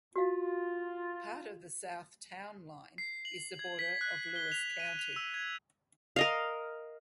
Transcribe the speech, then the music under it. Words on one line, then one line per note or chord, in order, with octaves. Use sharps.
Part of the south town line is the border of Lewis County.
F4 F#4 F5
C7
F#7
G#6
B6
F#6
G7
F7
D#7
F7
E6
G#6
A#4 D#5 F5